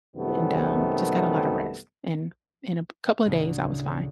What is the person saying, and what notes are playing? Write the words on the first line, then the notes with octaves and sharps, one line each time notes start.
and, um, just got a lotta rest, and in a p couple of days, I was fine.
F#2 C3 D#3 G3 A3 B3
D2 A2 C#3